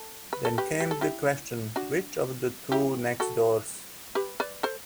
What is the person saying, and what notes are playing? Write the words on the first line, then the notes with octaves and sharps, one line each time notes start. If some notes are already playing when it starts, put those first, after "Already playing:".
Then came the question, which of the two next doors?
Already playing: A4
B4
A4
G4 B4
G4
A4
E4 G4
D4 F#4
E4 G4
F#4 A4
G4 B4
B4 D5
A4 C5